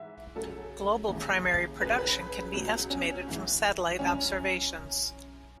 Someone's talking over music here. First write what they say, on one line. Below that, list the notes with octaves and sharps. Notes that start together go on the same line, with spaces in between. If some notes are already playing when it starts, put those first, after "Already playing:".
Global primary production can be estimated from satellite observations.
Already playing: G#2 E3 E5
F#2 C#3 F#3 A4
D#2 C#3 E3
C#2 C#3 F#3 B4
B4
C#2 B2 F#3
C#4
G#2 E3
F#2 E3 C#4